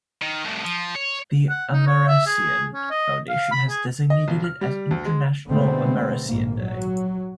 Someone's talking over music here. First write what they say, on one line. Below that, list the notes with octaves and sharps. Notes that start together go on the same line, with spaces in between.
The Amerasian Foundation has designated it as International Amerasian Day.
D#3
C2 A2
F3
C#5
F#5
D#4
C#5
E5
G#4
C#4
D#5
F5
B5
G#4
D#5
B1
F6
G3
D2
G#3
B2 D3 G#3 A3 B3 C4
A#1 G#2 A#3
F#3